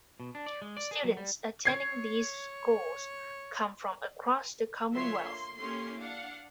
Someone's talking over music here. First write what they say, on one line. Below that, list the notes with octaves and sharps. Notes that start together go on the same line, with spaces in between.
Students attending these schools come from across the commonwealth.
B2
D4
D5
G#3
D5
G#4
F#3
G3
C#5 G#6 C7
D3 F#3 F4 C#5 E5 C6
A#3 C6
A#3 C#4 E4 G4 A4 C6
D4 F5 F#5